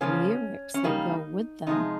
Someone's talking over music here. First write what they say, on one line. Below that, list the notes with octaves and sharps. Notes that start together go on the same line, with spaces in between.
lyrics that go with them,
C#3 F3 A#3 C#4
C#4
C#3 G3 A#3 D#4
C3 F3 G#3 D#4